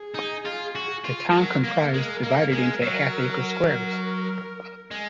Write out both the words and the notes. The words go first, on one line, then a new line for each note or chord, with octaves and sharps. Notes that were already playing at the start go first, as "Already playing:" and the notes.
The town comprised divided into half-acre squares.
Already playing: G#4
D#4
F4
F#4
F4
G#3
F#3 A#4
A#3
G#3
A#3
G#3
F#3
G#3